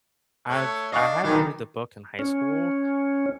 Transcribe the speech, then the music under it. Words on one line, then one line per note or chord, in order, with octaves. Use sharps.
I've I had to read the book in high school,
A3 A4 C#5 F#6
D4 D#5 F5 C#6
B1 D#3 D4 B4 G#6
C#4